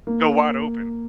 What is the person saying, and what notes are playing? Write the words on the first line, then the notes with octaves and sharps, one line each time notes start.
go wide open.
A#3